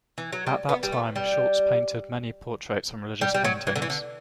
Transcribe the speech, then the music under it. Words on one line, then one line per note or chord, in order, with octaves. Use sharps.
At that time Schultz painted many portraits and religious paintings.
E3
F#3
G3
B3
G3
A3
G3
G3
G3
F#3
E3
D3
E3
D3